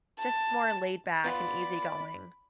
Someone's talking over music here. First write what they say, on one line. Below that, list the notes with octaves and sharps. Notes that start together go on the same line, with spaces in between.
just more laid back and easy-going.
A5
B3 F4 D5 B5